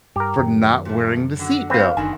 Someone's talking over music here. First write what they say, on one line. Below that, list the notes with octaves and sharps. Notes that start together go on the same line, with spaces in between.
for not wearing the seat belt.
G2 G4 A#4
F#2 D#3
A#2 A3
D3 F#4
F2 E3 C4 B4 F5
F#1 B2 D3 D#3 G#5